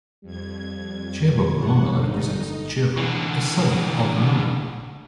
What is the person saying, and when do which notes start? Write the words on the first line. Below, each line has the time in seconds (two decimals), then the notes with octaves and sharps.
Chievo Verona represents Chievo, a suburb of Verona.
0.23 F2 G3 G#6
1.57 G1 E3 F#5
1.97 D3 D#4
2.97 D3 E3